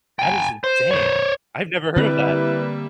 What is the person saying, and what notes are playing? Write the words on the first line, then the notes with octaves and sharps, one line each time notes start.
That is insane. I've never heard of that.
G5 G#5
C5
C5 C#5
D3 G3 A#3 C4 E4 B4 E5